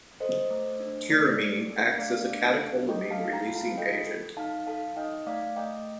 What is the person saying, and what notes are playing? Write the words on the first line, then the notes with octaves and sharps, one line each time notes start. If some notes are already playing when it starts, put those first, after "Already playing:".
Tyramine acts as a catecholamine releasing agent.
A4 C5 D#5
A3
D4
A3 D5
A4
D4
A3 D5 F5
D4
D4
A3 D#5 G5
F5 A5
A4
G5 A#5
F4
F5 A5
A4 D#5 G5
A4
D#4 F5 A5
A4 F5 A5
D#4 D#5 G5
A3 D5 F5
A3 D#5 G5